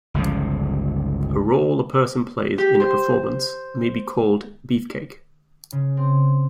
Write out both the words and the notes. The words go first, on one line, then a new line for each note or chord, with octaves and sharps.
A role a person plays in a performance may be called "beefcake".
G1 C#2 A#2 F3
G4
C5
C#3
C4